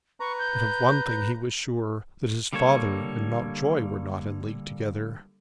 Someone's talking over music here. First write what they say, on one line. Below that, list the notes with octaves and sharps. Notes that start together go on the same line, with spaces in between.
But of one thing he was sure, that his father and Mountjoy were not in league together.
B4 A#5 C#6
G6
D3 G3 A#3 A4 C#5